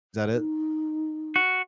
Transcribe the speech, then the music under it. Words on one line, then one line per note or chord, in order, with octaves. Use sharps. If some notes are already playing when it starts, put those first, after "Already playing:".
Is that it?
D#4
F#4